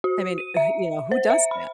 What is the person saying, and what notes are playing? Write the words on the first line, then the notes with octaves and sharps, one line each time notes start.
I mean, e wh you know, who does that?
F#4
D#7
E5
C5
E5
B5